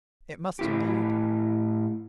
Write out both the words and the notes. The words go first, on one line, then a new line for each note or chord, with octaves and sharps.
It must indeed.
A2 E4 G4